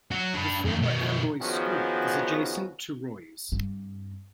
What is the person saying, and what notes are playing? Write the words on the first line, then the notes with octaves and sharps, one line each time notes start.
The former Amboy School is adjacent to Roy's.
F#3 F#4
D4 B4
F2 D#3
B2 D#3
D#3 F3 B3 C#4 F#4 G#4
G2 C4